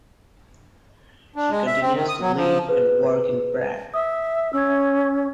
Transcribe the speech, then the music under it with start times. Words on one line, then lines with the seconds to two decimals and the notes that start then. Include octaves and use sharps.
She continues to live and work in Prague.
1.36 D4
1.51 G#3
1.67 E5
1.81 C4
1.94 D#3
2.09 D#6
2.21 F#3
2.37 F3
2.69 G#4 B4
3.94 E5 D#6
4.53 C#4 E6 G#6